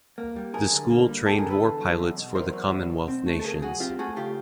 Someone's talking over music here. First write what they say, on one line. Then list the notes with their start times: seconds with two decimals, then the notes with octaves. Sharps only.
The school trained war pilots for the Commonwealth nations.
0.18 A#3
0.36 G3
0.53 F#2 G#4 A#4
0.72 D3
0.90 A#3
1.09 G3
1.26 F#2 G4 A4
1.38 G#4 A#4
1.44 D3
1.50 A4 B4
1.62 E2
1.81 F#3
1.99 E2
2.17 B2
2.35 E2 A#4 C5
2.53 F#3
2.71 E2
2.90 B2
3.08 C4
3.26 A3
3.39 A4
3.44 C#3 G#4 A#4
3.62 F#3 F#4 G#4
3.80 C4 F4 G4
3.99 A3 F#4 G#4
4.16 C#3 F4 G4